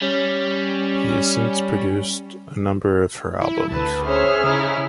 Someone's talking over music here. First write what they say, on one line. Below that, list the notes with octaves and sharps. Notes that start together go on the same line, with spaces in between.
He has since produced a number of her albums.
G3 C#4
E4
D2 B4 A5
C#4 G#4 C5 C#5 E5 F6
C#3 C#4 D#4 E4